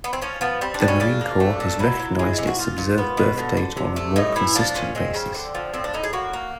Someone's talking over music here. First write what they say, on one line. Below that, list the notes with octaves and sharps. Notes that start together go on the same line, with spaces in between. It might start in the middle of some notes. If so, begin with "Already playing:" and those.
The Marine Corps has recognized its observed birth date on a more consistent basis.
B3
C4
F3 C#4
F3 B3
G3 C4
D4
B2
C#4
C#3 D4
A#3
A3
A#2
F#3 E4
F#3
G#3
C3
F#4
A#2 F4
A#2
B3
B2
D3
D3
C3
A3
A2 D#4
E3 E4
F3 D4
A#2 C#4
G#3 C4
C#3
D3
F3
A2 C4
D4
A2 D#4
G#4
A#3 F#4
A#3